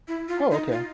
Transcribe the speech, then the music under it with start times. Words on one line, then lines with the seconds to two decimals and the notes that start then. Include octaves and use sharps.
Oh, okay.
0.08 E4
0.28 F4
0.51 D#4
0.72 F4